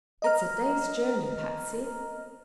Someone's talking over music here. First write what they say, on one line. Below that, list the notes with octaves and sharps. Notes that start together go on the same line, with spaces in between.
"It's a day's journey, Patsy."
D#5 A#5 F6